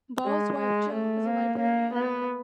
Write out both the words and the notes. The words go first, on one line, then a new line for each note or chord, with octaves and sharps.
Ball's wife Jill is a librarian.
G#3
G#3
A3
A#3
A#3
B3